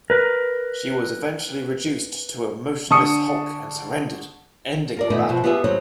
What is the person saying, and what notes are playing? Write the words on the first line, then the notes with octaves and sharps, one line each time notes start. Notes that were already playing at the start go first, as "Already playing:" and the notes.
She was eventually reduced to a motionless hulk and surrendered, ending the battle.
A#4 B4
D3 A5 C#6 D#6 C#7
F4 A#4 D5
A#2 D#3 A3 B3 D#4
B2 F3 F#4
B3 F4 G4 G#4 B4 E5
D#2 F#3 G3 C5 C#5